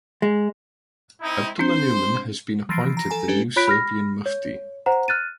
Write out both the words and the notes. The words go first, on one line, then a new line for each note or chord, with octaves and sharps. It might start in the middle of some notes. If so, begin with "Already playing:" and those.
Abdullah Numan has been appointed the new Serbian mufti.
G#3
C4 D#4 E4
C4 D4 C5 C6 G6
E3 F3 A6 A#6 C7 D7
A#5 A#6
A4 G#5 A#5
C#4 D4 G4 B4
F4 C#5 B5 F#6 B6 D7
B5 F6 A#6
C#5
C5 F#5 A#5
F6 F#6 A6 D#7